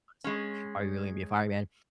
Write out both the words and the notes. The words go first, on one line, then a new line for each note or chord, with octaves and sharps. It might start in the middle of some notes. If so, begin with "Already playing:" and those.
honestly, are you really gonna be a fireman?"
G#3 C#4